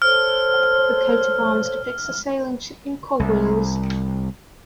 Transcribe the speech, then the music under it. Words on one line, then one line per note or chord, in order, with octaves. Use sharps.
The coat of arms depicts a sailing ship and cogwheels.
A4 C5 C#5 F6
C2